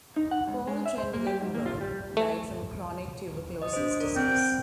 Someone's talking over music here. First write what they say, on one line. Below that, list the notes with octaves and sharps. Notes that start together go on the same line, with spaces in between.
Paul Trendelenburg died from a “chronic tuberculosis disease”.
D#4
F#5
C#2
G#3
E5
C5
A#3
G4
G#2
A#3
F4
G3
A3
D#5 D#6
D4 C5
A#4 D5
C4 C5 G5